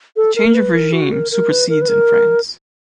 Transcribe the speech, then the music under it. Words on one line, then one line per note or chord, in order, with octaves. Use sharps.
The change of regime supersedes in France.
A4
A#4
B4
A#4
F#4
A#4
A#4
B4
A#4
B4
A#4